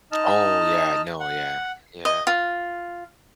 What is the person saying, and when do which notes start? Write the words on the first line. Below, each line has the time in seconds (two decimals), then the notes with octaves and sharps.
Oh, yeah, no, yeah. Yeah.
0.12 D#4 D#5 A5 F6
1.20 F#5
2.05 D#5
2.27 F4